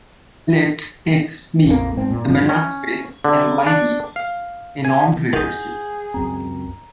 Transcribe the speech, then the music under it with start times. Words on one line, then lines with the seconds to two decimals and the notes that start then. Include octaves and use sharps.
Let "X" be a Banach space and "Y" be a normed vector space.
1.66 A#1 F2 C#3 A#3
1.97 G#2 C4
2.11 A#2
2.29 G2 F3
2.49 C#4
3.24 D3
3.67 D4
4.16 F5
4.85 G#5
5.33 D#3 D#4 G#4 F#5 G6
6.14 C#2 F#2 C4 A#5